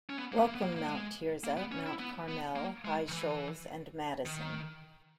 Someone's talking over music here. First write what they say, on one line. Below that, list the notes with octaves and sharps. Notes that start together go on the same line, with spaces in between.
Welcome, Mount Tirzah, Mount Carmel, High Shoals, and Madison.
C#4
B3
A#3
B3
A#3
B3
A#3
A#3
G#3
A#3
B3
C#4
E4
B3
B3
A#3
G#3
D#3
E3
D#3